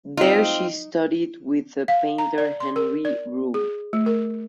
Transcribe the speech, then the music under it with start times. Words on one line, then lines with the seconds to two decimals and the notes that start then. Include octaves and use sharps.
There she studied with the painter Henri Rul.
0.17 C4 D#4 F4
1.88 F5
2.18 A#5
2.38 D5
2.60 C6
2.76 A#4
3.05 D5
3.54 G#4
3.93 A3
4.06 A#4